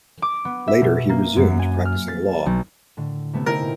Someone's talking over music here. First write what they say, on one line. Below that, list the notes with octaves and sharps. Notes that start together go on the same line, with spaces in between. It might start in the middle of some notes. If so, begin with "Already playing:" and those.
Later he resumed practicing law.
D6
B3
E5
B2
A#3
F#2
G#5
F6
A6
B1
A2 D3
C3 A3 B3
D#4 E4 A#4 G5
A#2